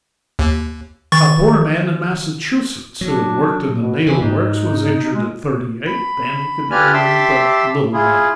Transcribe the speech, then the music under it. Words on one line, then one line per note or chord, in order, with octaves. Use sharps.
A poor man in Massachusetts who had worked in the nail-works was injured at thirty-eight, and he could earn but little money.
D#2
D#3 C#6 A6
F#3 D4
B2
C#3 E3
G#2 D#4
G#3
B5
F4 G4 B4 D5 G#5 F6
G4 E5 A5 C6 D6 E6
E4 F4 G#4